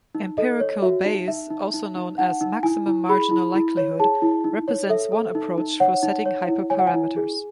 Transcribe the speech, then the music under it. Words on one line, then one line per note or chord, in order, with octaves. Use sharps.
Empirical Bayes, also known as maximum marginal likelihood, represents one approach for setting hyperparameters.
D#4
A4 D#5
C#5
F#4 E5
D#4
D#4 E5
D#4
D#4
D#4
D#4 F#5
D#4
E4 G#5
E4
G#4 B5
E4
E4
C#5
G#4 A5
E4
D#4
C#5
A4 E5
A4
D#4
D#4
C#5 F#5
D#4
C#5
E4
C#5 G#5
F#5
G#5
E4
G#4